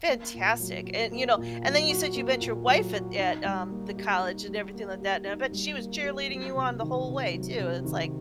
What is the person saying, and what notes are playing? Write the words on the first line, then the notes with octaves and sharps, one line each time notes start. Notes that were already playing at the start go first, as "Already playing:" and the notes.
fantastic, and, you know and then you said you met your wife at at, um, the college and everything like that, and I bet she was cheerleading you on the whole way too, it's, like,
A#3
A#2
F#3
F#4
A#3
A#2
F#3
F#4
A#3
A#2
F#3
F#4
D#4
G3
A#3
G4
D#4
G3
A#3
G4
D#4
G3
A#3
G4
F#3
C3
D#3
C3
F#3
C3
D#3